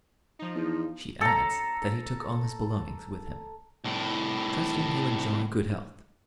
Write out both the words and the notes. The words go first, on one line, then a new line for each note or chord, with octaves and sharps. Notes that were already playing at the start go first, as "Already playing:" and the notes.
She adds that he took all his belongings with him.--Trusting you enjoy good health.
F3 D#4
E2
A4 A#5
C2 A2